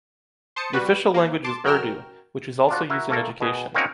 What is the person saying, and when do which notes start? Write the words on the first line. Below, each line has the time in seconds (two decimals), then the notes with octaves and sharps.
The official language is Urdu, which is also used in education.
0.56 C5 A5 D#6 C#7
0.73 G3 F#4 B4
1.14 A#3
1.44 A5 C6 D6
1.64 F#2 F#4 A#4 G5 F6 E7
2.69 D4 F4 F#4
2.90 E4 F#4 A#4 E5
3.10 A3 A#3 A4 A#4
3.40 B2 G#4
3.75 A#3 C4 C#4 D#4 F#4 A#4